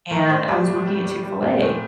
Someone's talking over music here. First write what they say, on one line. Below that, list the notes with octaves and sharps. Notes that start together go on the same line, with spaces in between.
and I was working at Chick-fil-A,
A2 A#4
A2 C5
G3 D5
A2
G3
G3
G3
A#2
A2